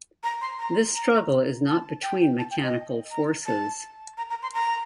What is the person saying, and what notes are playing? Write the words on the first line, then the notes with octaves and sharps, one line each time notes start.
This struggle is not between mechanical forces.
A#5
C6
A#5
A#5
A5
G5
A5
G5
D#5
A#5
A5
A#5
A#5
C6
A#5